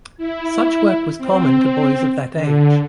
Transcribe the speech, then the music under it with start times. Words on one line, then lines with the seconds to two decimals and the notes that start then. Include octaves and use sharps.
Such work was common to boys of that age.
0.18 E4
1.18 C4
2.34 D3